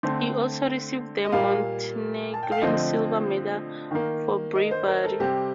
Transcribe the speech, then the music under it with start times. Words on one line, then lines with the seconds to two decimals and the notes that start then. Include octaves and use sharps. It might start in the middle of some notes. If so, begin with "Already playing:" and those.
He also received the Montenegrin Silver Medal for Bravery.
0.03 D3 A3 C4 C6
1.25 D#5
1.32 A#2 G3 A#3 F5
2.34 A5
2.43 G5
2.52 F5
2.61 D3 F3 A3 C4 D#5
3.91 D#3 A#3
4.55 D#5
4.71 C5
4.88 A#4
5.04 A4
5.20 C3 G3 C4 G4